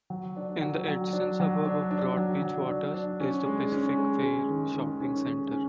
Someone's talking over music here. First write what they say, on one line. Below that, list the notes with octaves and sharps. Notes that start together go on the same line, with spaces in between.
In the adjacent suburb of Broadbeach Waters is the Pacific Fair Shopping Centre.
F#3
D4
F#3
F#3
D4
F#3
D4
D4
F#3
F#3
D4
D4
C#4
G#3
C#4
G#3
G#3
D#3
D#3
C#4
G#3
C#4